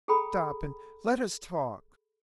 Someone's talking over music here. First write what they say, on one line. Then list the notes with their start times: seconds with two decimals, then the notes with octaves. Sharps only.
"Stop, and let us talk."
0.08 G#4 A4 G5 A#5 B5 D#6